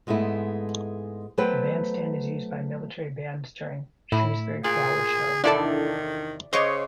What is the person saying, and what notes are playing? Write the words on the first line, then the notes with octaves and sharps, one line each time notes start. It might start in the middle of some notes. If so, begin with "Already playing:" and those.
The bandstand is used by military bands during Shrewsbury Flower Show.
G#2 G#3 A3 B3 E4
F#3 A3 B3 B4 C5 G5
A2 E4
A#2 G#4
E2 C3 D#3 D4 E4 A4 D5
C#3 C5 C#5 D#5 C#6 D6